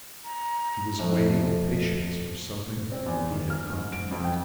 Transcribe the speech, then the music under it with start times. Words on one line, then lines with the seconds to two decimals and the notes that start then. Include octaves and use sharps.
He was waiting with patience for something that he had come to meet.
0.24 A#5
0.99 F2 A3
2.92 C4
3.06 E2
3.31 D#3
3.50 F6
3.70 G#2
3.92 D7
4.11 F2
4.24 G5